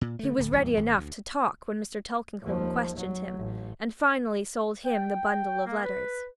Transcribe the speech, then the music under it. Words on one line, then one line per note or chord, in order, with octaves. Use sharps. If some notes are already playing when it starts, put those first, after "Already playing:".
He was ready enough to talk when Mr. Tulkinghorn questioned him, and finally sold him the bundle of letters.
A#2
D3 A3
D1 D3
D1 E2 G3
G#1
D2
D#2 F3
F#3
A1
G5
A#3
B4